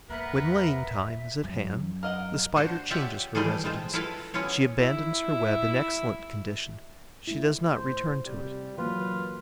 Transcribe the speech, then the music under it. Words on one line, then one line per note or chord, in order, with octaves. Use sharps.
When laying-time is at hand, the Spider changes her residence; she abandons her web in excellent condition; she does not return to it.
E2 A#3 B3 A#4 B4 E5 A#5
F#2 F#3
A#4 D#5 F5 F#5
D4 F#4 C5
F4 G4 C#5 D5 E5 F#5
E3 G3 A3 F4 G#4 A4
G#3 C4 F4 C5
E4 F4 A4 B4 F5
B3 C#4 E4 F4 C#5
E4 E5
A3 E4
A2 C5
C3 G3
E3 F#3 A#3 F4 B4